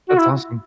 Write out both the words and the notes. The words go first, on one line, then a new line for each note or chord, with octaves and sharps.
That's awesome.
F#4
E4